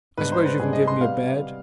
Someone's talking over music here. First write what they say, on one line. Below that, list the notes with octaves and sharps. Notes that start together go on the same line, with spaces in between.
I suppose you can give me a bed.'
G#2 G3 B3 D4 B4
C5
B4
G#2 G3 B3 D4 G#4
D#5
C6
C3 G3 B3 F5